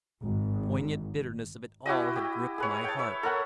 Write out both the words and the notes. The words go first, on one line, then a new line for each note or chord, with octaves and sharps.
The poignant bitterness of it all had gripped my heart.
G#1
E4 F#4 G4 D#5
G4
G#4 B4 C#5
G5 A5
C#5 E5
A4 A#4 F#5